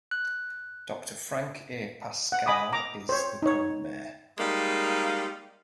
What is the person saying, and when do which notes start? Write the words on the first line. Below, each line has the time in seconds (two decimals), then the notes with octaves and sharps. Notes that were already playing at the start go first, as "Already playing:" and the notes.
Doctor Frank A. Pasquale is the current mayor.
0.11 F#6
2.32 F#5
2.46 D#5 G#5 B5 D6 D#6
2.73 A#5 D6
3.09 C5 C#5
3.42 D#4 C#5
4.38 G3 G#3 A#3 D#4 F5